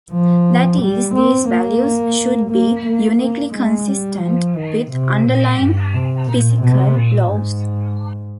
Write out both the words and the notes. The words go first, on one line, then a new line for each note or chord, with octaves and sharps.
That is, these values should be uniquely consistent with underlying physical laws.
F3
G3
C4
A#3
A#3
A#3
A#3
G#3
G3
F3
D#3
C3
A#2
G2
C3
A#2
C3
A#2
G#2